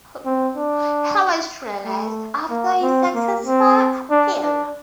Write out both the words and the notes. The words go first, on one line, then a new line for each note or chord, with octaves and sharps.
He was released after a successful appeal.
C4
D4
A3
A#3
C4
A#3
C4
D4
D4